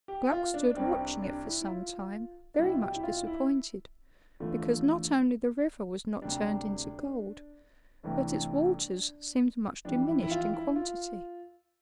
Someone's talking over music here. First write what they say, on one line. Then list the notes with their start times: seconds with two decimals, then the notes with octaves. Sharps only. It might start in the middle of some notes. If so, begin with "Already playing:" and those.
Gluck stood watching it for some time, very much disappointed, because not only the river was not turned into gold, but its waters seemed much diminished in quantity.
0.08 G4
0.32 F4
0.54 D4
0.66 D4
0.76 C2 C3 G3 C4
0.91 C4
0.99 D4
1.22 D4
1.45 E4
1.62 E4
1.68 F4
2.54 D4
2.58 C2 B2 G3 E4
2.74 F4
2.82 G4
2.96 E4
3.03 F4
3.27 E4
4.40 E2 D3 F3 A3
6.21 D2 C3 G3 D4
8.03 C2 C3 E3 A3 D4
9.85 F2 E3 G3 D4
10.07 E4
10.23 E4
10.31 F4
10.54 E4
10.76 F4